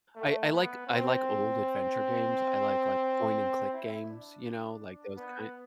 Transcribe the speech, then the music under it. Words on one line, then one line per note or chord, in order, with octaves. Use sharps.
I I like I like old adventure games, I like, like, point and click games, you know, like, those kind
A3
B3
C4
E4
D4
B3